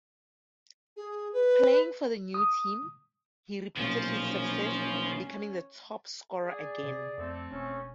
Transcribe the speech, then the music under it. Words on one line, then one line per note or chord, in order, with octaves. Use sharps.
Playing for the new team, he repeated his success, becoming the top scorer again.
G#4
B4
D#6
B1 A#2 F3 C#4
G#4 D5
C3
F2 A3 C4 A4
E1 C#4